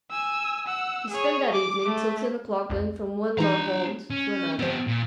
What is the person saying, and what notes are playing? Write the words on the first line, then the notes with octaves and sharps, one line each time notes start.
He spent that evening till ten o'clock going from one low haunt to another.
G#5 E6
F#5 E6
G#4 C#5
D6
A3
C2 F2
E3 D4 D#4 A#5
C#4
F3 B3 C4 G4
A#2